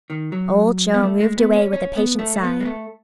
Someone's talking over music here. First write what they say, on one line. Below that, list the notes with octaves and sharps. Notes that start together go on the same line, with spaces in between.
Old Joe moved away with a patient sigh.
D#3
F#3
B3
A3
G#3
B3
C#4
C#4
B3
A3
A3
B3
G#3
A3